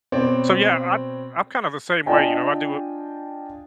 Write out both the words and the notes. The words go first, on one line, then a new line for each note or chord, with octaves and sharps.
So, yeah, I I'm kind of the same way, you know. I do a
B2 C4 C#5 D5
D4 F4 D#5 G5 G#5